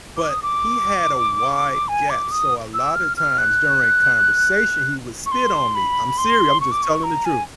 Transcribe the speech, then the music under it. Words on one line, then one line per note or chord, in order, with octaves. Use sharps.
But he had a wide gap, so a lotta times during conversation, he would spit on me. I'm seriou I'm just telling the truth.
D6
D#6
D6
G#5
D6
D#6
E6
F6
F6
F#6
C#6
C6
B5
C6
C#6
D6
C#6
A#5
G#5